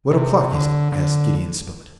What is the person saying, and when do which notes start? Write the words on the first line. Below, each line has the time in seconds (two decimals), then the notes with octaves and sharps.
"What o'clock is it?" asked Gideon Spilett.
0.11 C3
0.52 D3
0.92 D3